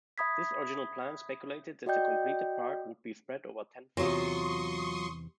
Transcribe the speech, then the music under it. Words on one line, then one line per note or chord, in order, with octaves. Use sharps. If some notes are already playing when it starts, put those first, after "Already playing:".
This original plan speculated that the completed park would be spread over ten phases.
E5 B5 D#6 G#6 B6
F#4 D5 D#5 G5 G6
E2 C3 F#3 F4 C6 C#6 D#6